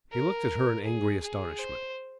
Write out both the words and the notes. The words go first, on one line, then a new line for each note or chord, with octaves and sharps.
He looked at her in angry astonishment.
A#4
G#4
G#4
C5